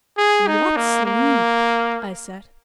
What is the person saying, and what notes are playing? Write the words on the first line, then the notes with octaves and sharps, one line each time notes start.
"What sleep!" I said.
G#4
D#4
A#3
A#3